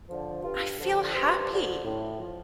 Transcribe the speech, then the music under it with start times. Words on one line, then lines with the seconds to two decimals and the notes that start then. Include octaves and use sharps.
I feel happy!
0.08 D3 F3
0.43 G2 F4
0.78 D3 F3
1.14 G2 C5
1.49 D3 F3
1.84 A2
2.19 F3